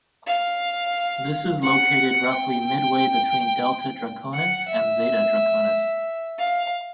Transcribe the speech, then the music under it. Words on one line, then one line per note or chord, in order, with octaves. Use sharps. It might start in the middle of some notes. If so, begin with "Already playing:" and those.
This is located roughly midway between Delta Draconis and Zeta Draconis.
F5
F#5
G5
F#5
E5
F5